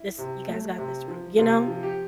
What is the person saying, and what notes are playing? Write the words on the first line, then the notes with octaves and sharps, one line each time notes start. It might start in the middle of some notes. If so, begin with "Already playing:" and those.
This You guys got this wrong, you know?
Already playing: E4
C3
A3
C3
F3
C3 F4
F3
G4